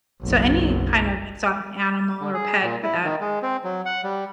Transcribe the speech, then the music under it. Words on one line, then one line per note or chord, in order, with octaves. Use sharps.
so, any kind of exotic animal or pet for that
F#1 B1
D3
G#4
A#2
E4
D#3
G#3
C4
F#3
F#5
G3